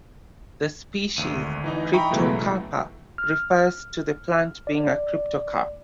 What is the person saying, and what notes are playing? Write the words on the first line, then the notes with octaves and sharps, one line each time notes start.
The species 'cryptocarpa' refers to the plant being a cryptocarp.
G#1 D2 D#7
E3 D#4 D#5
E5 G5 A#5 B5 C#6
C#2 B2 E3 F#3 G#3 A3
F6
D5